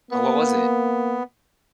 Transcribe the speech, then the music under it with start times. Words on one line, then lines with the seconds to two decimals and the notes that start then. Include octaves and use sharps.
Oh, what was it?
0.11 A#3 B3